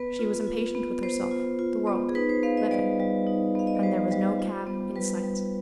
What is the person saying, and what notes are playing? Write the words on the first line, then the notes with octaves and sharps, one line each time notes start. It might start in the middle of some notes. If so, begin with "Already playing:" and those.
She was impatient with herself, the world, living,--and there was no cab in sight.
Already playing: B3 B4
F4
F4
B3
B3 C5
F4
F4
B3
G#4
D#4 B4
C5
B3 F5
D#5
G3 D5
G3
D#4
B3 F5
D#5
D5
G3 C5
G3
F4
B3
G3 B4
G3